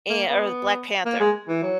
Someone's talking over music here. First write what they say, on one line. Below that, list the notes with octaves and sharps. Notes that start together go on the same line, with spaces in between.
and or Black Panther.
A#3
B3
A#3
G#3
E3
F#3